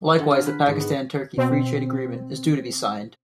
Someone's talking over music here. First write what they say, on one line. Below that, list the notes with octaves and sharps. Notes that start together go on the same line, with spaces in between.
Likewise the Pakistan-Turkey Free Trade Agreement is due to be signed.
D3
F4
B4
G#2
B3
B2 C4